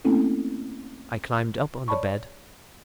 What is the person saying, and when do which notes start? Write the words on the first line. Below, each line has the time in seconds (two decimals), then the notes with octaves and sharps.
I climbed up on the bed.
0.04 A3 A#3 C4 C#4 E4 A4
1.88 C#5 D5 A5 B5 C#6